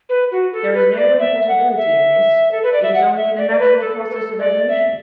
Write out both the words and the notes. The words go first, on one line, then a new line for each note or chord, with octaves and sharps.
There is no impossibility in this; it is only the natural process of evolution.
B4
F#4
A4
B4
D5
E5
F#5
E5
A4
B4
D5
E5
F#5
E5
D5
D5
B4
A4
B4
A4
D5
E5